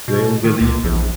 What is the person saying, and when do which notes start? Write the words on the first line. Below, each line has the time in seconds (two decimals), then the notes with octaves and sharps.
They'll believe him.
0.08 B2
0.44 D#3
0.61 C#2
0.84 A#1